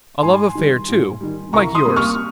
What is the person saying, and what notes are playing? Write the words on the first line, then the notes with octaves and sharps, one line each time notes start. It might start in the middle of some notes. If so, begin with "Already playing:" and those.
A love affair too--like yours.
G#2 G#5 C6
D#3 G3
G#2
D#3 G3
C2 A#5 C#6
C6 D#6
C3 G3 A#3
C#6 F6